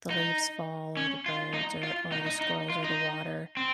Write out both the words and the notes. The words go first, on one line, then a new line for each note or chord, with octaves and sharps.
the leaves fall or the birds or or the squirrels or the water
D#4
C#4
F4
D#4
F4
D#4
D#4
D#4
F4
D#4
C4